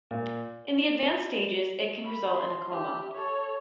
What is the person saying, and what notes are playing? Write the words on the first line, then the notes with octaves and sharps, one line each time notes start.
In the advanced stages it can result in a coma.
A#2
B5
C6
G4 E5
A4 C#5